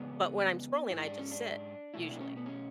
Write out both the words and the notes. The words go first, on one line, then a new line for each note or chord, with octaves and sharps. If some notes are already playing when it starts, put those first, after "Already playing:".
But when I'm scrolling, I just sit, usually.
Already playing: E2 C#3 G#3 B3
G#2 G#3 E4
D4
C#4
D4
B2 A3 E4
D4
C#4
B3
C#4